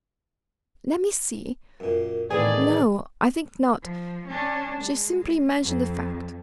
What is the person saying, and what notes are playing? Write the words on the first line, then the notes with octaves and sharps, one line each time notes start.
"Let me see--no--I think not--she simply mentioned the fact."
F#2 A#2
A2 D#3 E3 B3 C4 G#4 D5
F3
C#4 D4
G#3
F2